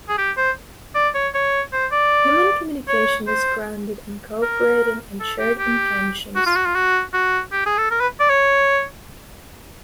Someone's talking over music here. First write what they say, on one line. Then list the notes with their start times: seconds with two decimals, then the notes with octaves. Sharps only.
Human communication is grounded in cooperative and shared intentions.
0.09 G#4
0.18 G4
0.37 C5
0.95 D5
1.15 C#5
1.34 C#5
1.73 C5
1.92 D5
2.88 C#5
3.27 C5
4.43 A#4
5.20 A4
5.39 G4
5.59 G4
6.36 F#4
6.46 F4
6.56 F#4
6.65 F4
6.75 F#4
7.14 F#4
7.52 G4
7.66 G#4
7.78 A4
7.91 A#4
8.00 B4
8.20 D5
8.30 C#5